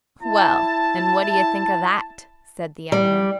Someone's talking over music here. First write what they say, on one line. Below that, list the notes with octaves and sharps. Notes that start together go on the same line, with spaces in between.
"Well, and what do you think of that?" said the other.
E4 A5
G3